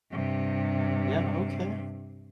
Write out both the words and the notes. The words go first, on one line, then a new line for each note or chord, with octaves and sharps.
Yeah, okay,
G2 C3